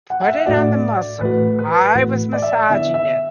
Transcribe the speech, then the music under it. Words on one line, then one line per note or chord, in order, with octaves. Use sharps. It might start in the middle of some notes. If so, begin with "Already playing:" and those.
put it on the muscle. I was massaging it.
F#5
F#5
E5
A2 A3 D4 F#4 D5
A2 E3 A3 F#4 B4
B4
A2 E3 A3 F#4
D5
E5
D5
D3 B3 E4 E5
E5